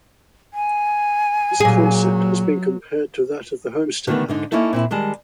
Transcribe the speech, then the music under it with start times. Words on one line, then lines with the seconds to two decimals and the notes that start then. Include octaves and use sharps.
This concept has been compared to that of the Homestead Act.
0.54 G#5
1.60 A#2 F#3 G#4
4.07 D3 D#3 G3 A3 B3
4.28 G#2 D3 D#4
4.52 A#3 C#4 D#4 E4 A4
4.73 A#2 C4 E4
4.91 D#3 G3 G#3 A5